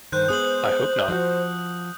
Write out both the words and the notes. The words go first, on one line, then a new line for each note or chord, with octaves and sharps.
I hope not.
G2 D#3 C5 F#6 G6
G#3 B3 G#4 D#6 F#7
F3 F#4